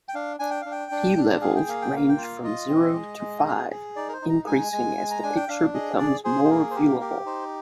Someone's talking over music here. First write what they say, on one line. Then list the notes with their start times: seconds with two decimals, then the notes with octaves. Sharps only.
P levels range from zero to five, increasing as the picture becomes more viewable.
0.09 G5
0.15 D4 F5
0.39 D4 G#5
0.51 G5
0.62 D4 F5
0.71 G5
0.91 D4
1.17 D4
1.41 G#4 F5
1.56 G5
1.68 A#3 F5
1.82 G5
1.93 A#3 F5
2.09 G5
2.17 F4
2.23 F5
2.43 F4 D#5
2.69 C4
2.94 G#3
3.19 G#3
3.46 G#4
3.71 G#4
3.96 D#4 D5
4.09 A#4
4.13 C5
4.22 D#4
4.29 A#5
4.47 G#3 G#5
4.72 G#3
4.97 G#3
5.11 A#5
5.23 D4 G#5
5.36 G5
5.48 D4 F5
5.74 G#4 D#5
5.99 G#4 D5
6.24 G#4 C5
6.44 C5
6.49 A#3 A#4
6.71 C5
6.75 G4 A#4
7.00 G4 A#4
7.26 D#4 C5